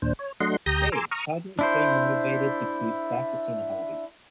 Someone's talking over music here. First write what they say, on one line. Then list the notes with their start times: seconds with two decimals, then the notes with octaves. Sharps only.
Hey, how do you stay motivated to keep practicing a hobby?
0.02 D#2 A#2 D4 C5
0.19 C#5
0.40 F#3 A3 D4 D#5 F#5 C6
0.66 D2 G4 A#5 D#6 G6 A#6
0.92 G#5 A#5 C6 D6 E6
1.11 A#5 C#6 D#6 F6
1.59 D4 E4 C5